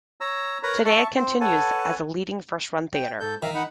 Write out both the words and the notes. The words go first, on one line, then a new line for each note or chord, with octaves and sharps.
Today it continues as a leading first run theater.
C#5 A#5 E6
A#4 B4 C#5 A#5 B5
E5 A5 C#6
C4 C5
A4 B4 C#5 F#5 G#5 A5
G5
G#2 A4 G6
D#3 A#4 E5 F5
D#4 F#5 B5